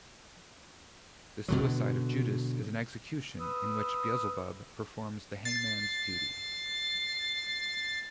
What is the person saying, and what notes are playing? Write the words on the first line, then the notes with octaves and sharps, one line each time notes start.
The suicide of Judas is an execution, in which Beelzebub performs the hangman's duty.
B2 D3 F#3
B4 D#6 E6
A6 C7